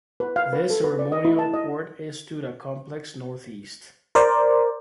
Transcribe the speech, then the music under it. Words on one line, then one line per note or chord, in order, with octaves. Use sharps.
This Ceremonial Court is to the Complex north-east.
B4
F5
B4
A4
B4
D5
D#5
E4
A5
D#5
A#4 C5 D5